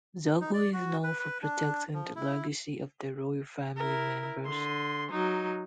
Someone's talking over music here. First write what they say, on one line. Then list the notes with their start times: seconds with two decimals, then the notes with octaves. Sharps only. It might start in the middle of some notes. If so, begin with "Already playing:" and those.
Zogu is known for protecting the legacy of the royal family members.
0.41 D#4
0.54 D5
0.73 F#4
1.04 B4
1.20 B4
1.42 D4
1.94 F3
2.16 E4
3.77 E4 A#4
4.46 D3 C6
5.12 F#3 D#4